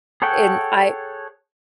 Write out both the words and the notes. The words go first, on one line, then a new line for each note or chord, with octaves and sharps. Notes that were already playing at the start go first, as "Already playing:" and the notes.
and I
G#4 A4 C#5 F#5 G5